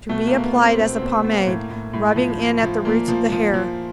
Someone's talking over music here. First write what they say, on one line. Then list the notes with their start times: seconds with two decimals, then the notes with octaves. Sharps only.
To be applied as a pomade, rubbing in at the roots of the hair.
0.09 B2 A3
0.27 A#3
0.33 B2
0.44 B3
0.56 B2 C4
0.79 B2 C4
0.96 C4
1.02 B2
1.24 B2
1.31 A#3
1.47 A2
1.71 A2
1.93 A2
2.16 F3
2.39 F3
2.63 F3
2.85 A#2 A#3
3.08 F3
3.32 F3
3.54 F3